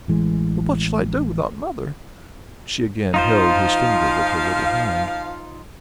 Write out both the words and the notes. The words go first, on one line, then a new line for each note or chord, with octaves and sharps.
"But what shall I do without mother?" She again held his finger with her little hand.
A1 E3 G#3
F3 D#4 F4 C5 F5